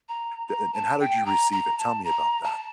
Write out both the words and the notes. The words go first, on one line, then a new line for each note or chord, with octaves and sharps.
The and and how did you receive it? Tell me about that.
A#5
A#5
A5
G5
A#5
A#5
A5
A#5
A5